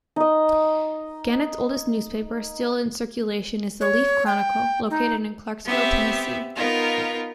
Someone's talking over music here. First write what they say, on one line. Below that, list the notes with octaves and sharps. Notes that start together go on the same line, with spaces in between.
Gannett's oldest newspaper still in circulation is the "Leaf-Chronicle" located in Clarksville, Tennessee.
D#4 D#5
C#5
G5
D#4
B3 C4 G4 E5
B3 D#4 F4 A#4